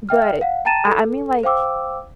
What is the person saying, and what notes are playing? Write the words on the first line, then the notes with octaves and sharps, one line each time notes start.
But I I mean, like
E5 G5 F6
F5 F#5
G5 A5 A#5 A6 D#7 E7
A4
C5 F5 G5 D6 E6